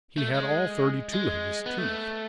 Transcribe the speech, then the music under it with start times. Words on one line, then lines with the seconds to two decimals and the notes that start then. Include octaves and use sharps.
He had all thirty-two of his teeth.
0.18 A3
0.34 G#3
1.13 G#3
1.66 B3
1.78 A3